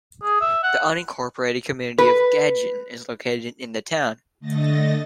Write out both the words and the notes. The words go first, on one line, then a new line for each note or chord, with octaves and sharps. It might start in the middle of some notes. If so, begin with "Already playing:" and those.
The unincorporated community of Gagen is located in the town.
G#4
E5
F#5
B4
D3 A3 D#5 A6 A#6